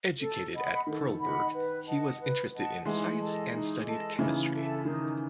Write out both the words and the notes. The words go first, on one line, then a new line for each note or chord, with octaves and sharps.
Educated at Perleberg he was interested in science and studied chemistry.
A4
D#5 F#5 B5
D#3 A4
D#5 F#5 B5
B4
D#5 F#5 A5
B4
D#5 F#5 A5
E3 G#3 D#4
A4 D#5 A5
D#4
A4 D#5 A5
C#3 E3 D#4
A4 E5 A5
D#3 D#4